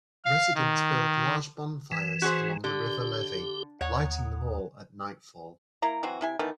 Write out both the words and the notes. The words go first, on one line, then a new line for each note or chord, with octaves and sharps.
Residents build large bonfires along the River levee, lighting them all at nightfall.
F5
D#3
E3
F#4 G#4 C5
D3 G4
D#2 C#5 F#5
A#3 E4 A#5
E3 F#3 C4 F#4
C3 E4 G#5
D#3 E3 A3 B3